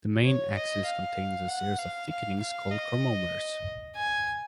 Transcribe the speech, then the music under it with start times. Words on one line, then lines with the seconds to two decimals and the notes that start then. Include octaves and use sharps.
The main axis contains a series of thickenings called chromomeres.
0.24 C#5
0.54 D#5
0.85 F5
1.48 F#5
1.78 F5
2.09 F5
2.40 F5
2.71 D#5
3.96 G#5